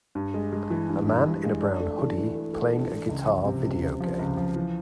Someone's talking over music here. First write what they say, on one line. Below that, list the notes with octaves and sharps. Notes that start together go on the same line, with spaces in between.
A man in a brown hoodie playing a guitar video game.
G2
G#3
G#3
E3
G2
G2
G2
G#3
D4
A3
E3
E3
A3
A3
D4
E3
C#2
F3
C3
C#2
C3
F3
C#2
F3
E3